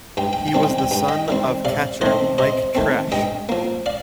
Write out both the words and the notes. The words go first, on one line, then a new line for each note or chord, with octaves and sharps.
He was the son of catcher Mike Tresh.
G2 G5
G5
G5
D#3 G3 C4
G5
G5
G2 G5
D#5 G5
D#3 G3 C4
C3 D5 F5
D#3 A3 C4 C5 D#5
C3 C5 D#5
D#3 A3 C4
G2 D#5 G5
F3 A#3
D5 F5